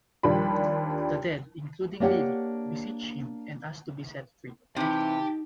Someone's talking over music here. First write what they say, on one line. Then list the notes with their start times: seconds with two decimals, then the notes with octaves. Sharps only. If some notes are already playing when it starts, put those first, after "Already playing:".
The dead, including Lily, beseech him and ask to be set free.
0.23 D#2 F3 G3 D4 B5
2.00 A#3 D4 G4 C#5 F#5
4.76 C3 E3 D#4 G4 G5 A5